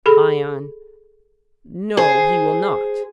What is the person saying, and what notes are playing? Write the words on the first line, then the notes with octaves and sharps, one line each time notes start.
ION: No, he will not.
G#4 A4 B5
G#4 C5